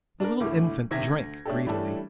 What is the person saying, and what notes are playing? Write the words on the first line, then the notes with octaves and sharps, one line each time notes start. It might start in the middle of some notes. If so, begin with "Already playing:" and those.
The little infant drank greedily.
D4 A#4
D2 A2 E4 D6
A#1 C3 D#3 E5 G#6 A#6
D2
A3 C#4 D4 G4 A4
E3 G3 A3 C#4 D4 A4